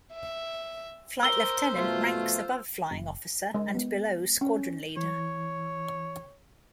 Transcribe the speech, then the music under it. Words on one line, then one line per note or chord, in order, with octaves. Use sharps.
Flight lieutenant ranks above flying officer and below squadron leader.
E5
A#4 C5 E6 G7
B2 F3 A3 F4
F#1
G#3
B3
C#4
E3 C#5